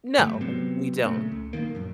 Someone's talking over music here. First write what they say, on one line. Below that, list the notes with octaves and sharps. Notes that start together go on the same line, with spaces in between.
No. W we don't.
G#2 D3 G3 A3
C3 F#3 B3 C4
A#2 C#3 A3
C#2
D1 C2 D#3 A#3
A#1 F#2